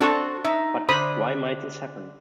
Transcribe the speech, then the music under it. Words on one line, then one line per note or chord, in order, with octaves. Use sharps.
But, why might this happen?
C4 D4 F#4 A4 A5 C#6
D#4 E5
D3 C5 B5 D#6